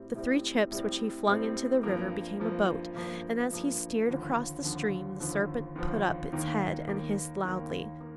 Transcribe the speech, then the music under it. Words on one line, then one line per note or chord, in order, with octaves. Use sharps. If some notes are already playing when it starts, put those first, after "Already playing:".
The three chips which he flung into the river became a boat, and, as he steered across the stream, the serpent put up its head and hissed loudly.
Already playing: A2 G3 C4
A2 G3 C4
A2 G3 C4
A2 G3 C4
G2 F3 A#3
G2 F3 A#3
G2 F3 A#3
G2 F3 A#3
D#2 D3 F3
D#2 D3 F3
D#2 D3 F3
D#2 D3 F3
D#2 D#3 A#3
D#2 D#3 A#3
D#2 D#3 A#3
A#3